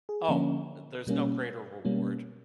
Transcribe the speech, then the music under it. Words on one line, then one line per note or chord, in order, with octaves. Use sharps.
Oh, there's no greater reward.
G#4
D3 F3 A#3 C#4
B2 G3 A#3 C#4
B2 G3 A#3 C#4